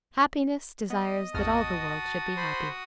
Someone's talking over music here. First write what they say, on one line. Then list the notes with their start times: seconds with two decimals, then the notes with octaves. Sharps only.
Happiness desires that all the world should be happy.
0.90 B3 D#5
1.34 G#1 E2 F#4 A5 D#6 F6
2.37 C5 B5 C6